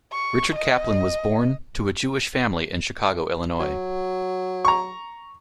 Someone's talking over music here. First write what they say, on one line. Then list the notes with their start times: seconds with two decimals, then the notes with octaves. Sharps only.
Richard Kaplan was born to a Jewish family in Chicago, Illinois.
0.12 C#6
0.55 D#5
3.60 F#3
4.65 A#5 C#6